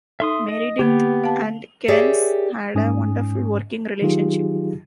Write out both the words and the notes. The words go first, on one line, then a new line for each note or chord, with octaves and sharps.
Meredith and Kerns had a wonderful working relationship.
D#4 A4 E5 C6 D#6
D#5
D3 A#3 B3 G4
F5 A5
G4 G#4 A#4 C#5 D5 E5
G#2 C#4 G#5 D#6
D#3 F#3 D#4 F4 G4 G#4